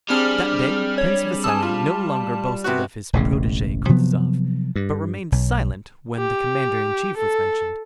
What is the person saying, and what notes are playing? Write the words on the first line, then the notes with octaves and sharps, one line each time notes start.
That day Prince Vasili no longer boasted of his protege Kutuzov, but remained silent when the commander-in-chief was mentioned.
G3 C4 D4 G#4 F6
C#5
G#5 A5 D#6 E6
F4
C3 B3 F#4
E1 A1 C#3
C3 F3 F#3 B3
G2
B1
G4
A4